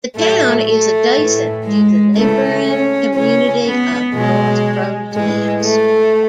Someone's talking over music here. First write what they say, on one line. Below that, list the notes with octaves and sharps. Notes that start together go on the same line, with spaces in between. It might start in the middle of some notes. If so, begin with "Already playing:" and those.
The town is adjacent to the neighboring community of North Crows Nest.
A2 F#3 A3
A3
A2 E3
G#3
C#3 E3 A3
C#4
C#3 E3 C#4
B3
B2 F#3 G#3
A2 E3 G#3
A3